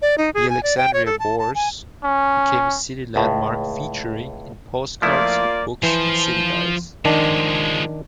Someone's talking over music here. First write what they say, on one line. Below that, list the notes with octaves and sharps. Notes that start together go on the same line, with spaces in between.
The Alexandria Bourse became a city landmark featuring in postcards, books and city guides.
D5
D#4
G#4
G#5
D5
G5
C#5
A4
A5
A5
G#5
C#4
C#2 A2
F3 A3 A#3 E4 F4 D5
E3 F3 C5
D#3 F3 G#3 D4